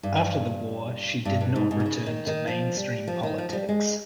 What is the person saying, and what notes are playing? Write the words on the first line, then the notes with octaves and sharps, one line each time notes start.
After the war she did not return to mainstream politics.
G2
G2
G2
G#2
G#2
C3
C#3
D#3
D#3
F3
G3
F3
D#3
F3
F3
G3
G#3